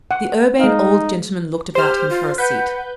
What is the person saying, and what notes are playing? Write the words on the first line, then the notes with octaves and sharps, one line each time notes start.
The Urbane Old Gentleman looked about him for a seat.
F#5
G#3 D#4 F5
G4 C5 F6
F4
B4 F#5 G6